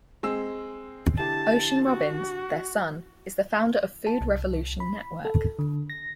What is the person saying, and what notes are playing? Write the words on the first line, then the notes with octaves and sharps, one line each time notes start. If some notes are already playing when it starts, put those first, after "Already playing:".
Ocean Robbins, their son, is the founder of Food Revolution Network.
G#3 C4 E6
D3 E4 G4 A5
F#4
A5
C2
B5
A4
D3
A#6